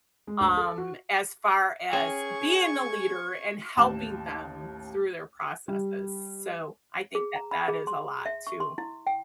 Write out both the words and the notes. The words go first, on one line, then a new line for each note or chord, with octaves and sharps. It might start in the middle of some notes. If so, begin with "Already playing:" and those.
um, as far as being the leader and helping them through their processes. So, I think that that is a lot to,
G#3
D2
A4
F#4
C#4 G#4 G5 C#6 G#6
A1 D#2 A2 A5 E7
G3
G#4
A#5
B5
G#4
C6
E5
C#6
C6
E4
G5